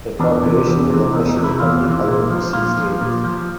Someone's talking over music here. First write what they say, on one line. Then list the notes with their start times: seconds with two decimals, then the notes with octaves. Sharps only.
The corporation was initially funded by overseas aid.
0.20 E2 D4
0.43 C3 E3
0.66 E2
0.90 C3 E3
1.13 E2 D#4
1.28 D#4
1.37 C3 E3
1.44 E4
1.60 E2 F4
1.83 E3
1.88 C3
2.07 A#2
2.30 F3
2.53 A#2 F4
2.77 F3
3.01 A#2
3.24 F3